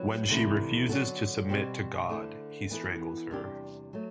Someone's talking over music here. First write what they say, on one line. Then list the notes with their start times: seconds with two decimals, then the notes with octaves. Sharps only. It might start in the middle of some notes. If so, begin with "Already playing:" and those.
When she refuses to submit to God, he strangles her.
Already playing: F#3 C4 E4 B4
0.29 D2 C3 E3 A3 E4
0.89 D3 F#3 B3 F#4 A4
1.49 B2 G3 C4 G4 C5
2.09 D3 A3 E4 A4 C5
2.70 E3 B3 E4 A4
3.31 E2 C3 G3 D4 G4
3.93 F#3 A3